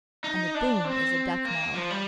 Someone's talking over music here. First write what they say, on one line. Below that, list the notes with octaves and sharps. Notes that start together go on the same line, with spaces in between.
And the boom is a death-knell.
D#4
D4
C4
A#3
F3
G3